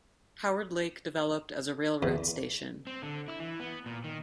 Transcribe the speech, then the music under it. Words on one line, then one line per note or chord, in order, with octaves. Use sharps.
Howard Lake developed as a railroad station.
E2
C4
D3
E4
E3
B3
A#2
D#3